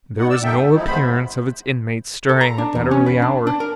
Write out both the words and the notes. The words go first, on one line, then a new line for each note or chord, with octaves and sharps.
There was no appearance of its inmates stirring at that early hour.
D#4 F#5
D5 E6
F#2 D#4 A4 E5 G5
B2
G#2 F3 D#4 E4
D#2 C3 G#3 B3 C5 B5
A4
A#5
D4
E2
C#4
B4
D4
D4
A#4